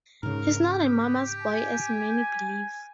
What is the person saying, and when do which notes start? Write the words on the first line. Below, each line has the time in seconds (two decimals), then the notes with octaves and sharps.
He's not a "mama's boy" as many believe.
0.23 G#2 C#3 A#4
0.71 G4
1.42 G#5